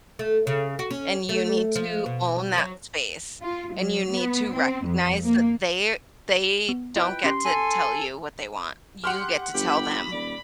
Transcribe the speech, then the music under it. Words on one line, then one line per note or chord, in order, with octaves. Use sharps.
and you need to own that space, and you need to recognize that they they don't get to tell you what they want. You get to tell them.
A3
C#3
F#4
C#4
A3
F3
B2
F#3
F4
F#3
B3
C4
F2
A#3
B3
E4 F4 B4 D#5 G5
C#4 G4 C6 A#6
A4 G#5
G4 F#5 C6 F6
G1 G4 B5
D#1 D5